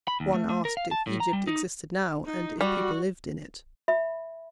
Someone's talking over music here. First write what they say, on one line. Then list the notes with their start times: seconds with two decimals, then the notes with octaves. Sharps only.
One asked if Egypt existed now, and if people lived in it.
0.08 B5
0.20 D#2
0.34 A3
0.49 A3
0.65 A#4
0.77 F5
0.91 A5
1.07 A2
1.20 A#5
1.33 G3
1.47 D#4
2.26 D#4
2.61 G3 F#4
3.88 E5 B5